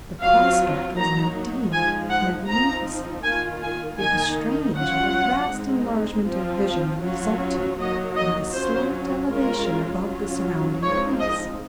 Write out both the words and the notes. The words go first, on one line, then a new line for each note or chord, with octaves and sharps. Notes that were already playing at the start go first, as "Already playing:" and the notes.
The prospect was indeed magnificent; it was strange what a vast enlargement of vision resulted from the slight elevation above the surrounding peaks.
F#3 C4 F4 F5
F#3 A#3 D#4 A#5
F3 G#3 D#4 G#5
F#5
F3 C4 D#4 A#5
D#3 A#3 F4 G#5
G#5
D#3 A#3 D#4 G#5
F#3 C#4 F4 F#5
G#3 C4 D#4
F3 C4 F4
F#3 C#4 F4
F#3 A#3 D#4 D#5
D#5
F#3 C#4 F4 C5
G#3 C#4 F4 A#4
F#3 C#4 F4
F3 G#3 C4 D#4 C#5
D#5